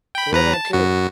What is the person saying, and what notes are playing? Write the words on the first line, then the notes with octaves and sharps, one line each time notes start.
'Cause I don't care."
G5 B5
E2 B4 A#5
A5
F#2 F#4